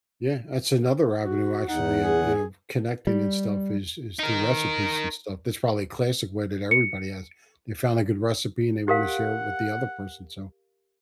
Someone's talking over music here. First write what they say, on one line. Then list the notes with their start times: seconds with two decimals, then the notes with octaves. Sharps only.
Yeah, that's another avenue actually of, you know, connecting and stuff is is through recipes and stuff, that's probably classic way that everybody has, they found a good recipe and they wanna share it with the other person, so
1.24 F#4
1.69 E2 D#4 F#5
2.00 G#4
3.07 G3
4.19 D#4 A#4
6.71 C#7
8.88 G4 A#4 F5 F#5